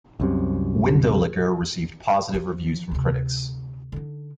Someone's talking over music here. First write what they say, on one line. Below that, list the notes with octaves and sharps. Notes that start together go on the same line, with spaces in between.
"Windowlicker" received positive reviews from critics.
C2 F#2 C3
F3
D2 C3
D3 D#4